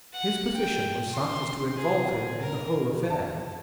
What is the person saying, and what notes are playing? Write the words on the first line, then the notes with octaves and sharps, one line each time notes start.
His position was such as to involve him in the whole affair.
F#5
G5
C6
G#4
A#4
A5